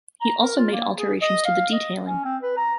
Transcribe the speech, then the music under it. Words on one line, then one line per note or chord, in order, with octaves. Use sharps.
He also made alterations to the detailing.
A#5
A#4
F4
A#3
G#4
D#5
F5
D#5
C#4
C4
B4
A#5